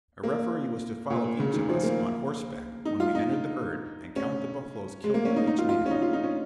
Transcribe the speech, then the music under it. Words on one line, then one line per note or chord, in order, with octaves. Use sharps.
A referee was to follow each of us on horseback when we entered the herd, and count the buffaloes killed by each man.
A#3
A#2
C#3
D#3
F3
A#3
D#4
F4
D#4
C#4
G#3
A#3
C#4
D#4
D#4
F4
F4
C#4
D#4
F4
D#4
C#4